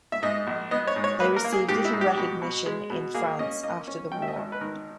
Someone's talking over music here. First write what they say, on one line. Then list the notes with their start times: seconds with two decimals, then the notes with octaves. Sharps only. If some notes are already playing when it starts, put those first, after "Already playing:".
They received little recognition in France after the war.
0.12 E5
0.22 G#2 D#5
0.47 A#1
0.71 B3 D#5
0.87 C#5
0.96 G#2
1.04 C#5
1.20 A#3 B4
1.36 A#4
1.44 A#3
1.53 G#4
1.68 G#2 G4
1.85 E4
1.93 G#2
2.01 G4
2.18 B2
2.42 B2
2.66 G#3
2.90 B2
3.14 A#3 G#4
3.39 C#4 D#5
3.63 A#3 D#5
3.88 C#4
4.12 G#1 G5
4.22 E5
4.28 D#5
4.36 G#1
4.52 B4
4.61 D#3 A#4